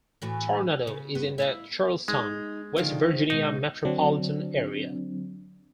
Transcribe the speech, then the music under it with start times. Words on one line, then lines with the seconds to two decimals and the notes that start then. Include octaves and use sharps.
Tornado is in the Charleston, West Virginia metropolitan area.
0.22 A2 E3 F#4
0.87 C#3
1.15 G2 B3
1.38 E4 E5 F5
2.08 G#3 D#4
2.77 D3 D#3 F3 F4
3.06 C5
3.30 B2 G#3 D#4
3.85 D3 F#3 C4 D4